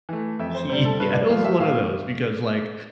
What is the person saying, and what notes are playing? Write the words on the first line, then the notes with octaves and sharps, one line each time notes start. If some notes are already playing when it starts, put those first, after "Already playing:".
yeah, it was one of those, because, like,
E3 A3
F2 E5
C5
C3 G3 C5
A4
G2 B4
D5
F3 A3 F5
E5
A2 F5